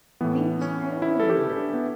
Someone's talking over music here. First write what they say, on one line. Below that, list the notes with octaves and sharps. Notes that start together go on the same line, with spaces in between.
Me too,
A2 E3 B3
C#4
E4
A4
G4
D4
B3